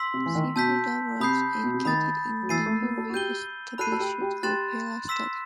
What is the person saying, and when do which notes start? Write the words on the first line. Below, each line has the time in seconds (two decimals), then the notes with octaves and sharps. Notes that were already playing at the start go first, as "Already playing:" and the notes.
She further was educated in the newly established Opera Studio.
Already playing: C6 E6 B6 F#7
0.14 C3
0.26 E3
0.35 D#3
0.56 B2 A5 E6 G6 B6
1.20 C3 B5 D#6 G6 C7
1.63 B2
1.74 C3
1.85 D#3 B5 D#6 A6
2.42 F#3
2.49 E3 E6 A6 C7 D#7
2.66 A3
2.82 B3
2.98 A4
3.10 F#4
3.14 G4 G6 D#7 G7
3.78 A4 B5 F#6 C7 D#7
3.92 A4
4.00 G4
4.21 G4
4.43 G4 C6 F#6 A6 E7
5.08 C6 E6 B6 E7